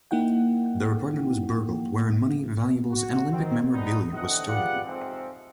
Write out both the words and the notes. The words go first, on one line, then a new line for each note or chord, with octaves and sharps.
Their apartment was burgled, wherein money, valuables, and Olympic memorabilia was stolen.
A#3 D#4 E4 F#5 G5
F#4
D#3 C4
A2 F3 G3 G#3 B3 D#4
D#2 D3 E3 C4 D#5 F#5
F4 G4 G#4 B4 D5 F#5
F2 G#2 C3 F3 C4